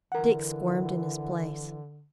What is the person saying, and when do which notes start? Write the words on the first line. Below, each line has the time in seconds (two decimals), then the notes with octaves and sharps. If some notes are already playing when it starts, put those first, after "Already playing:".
Dick squirmed in his place.
0.12 D3 E3 A#4 F#5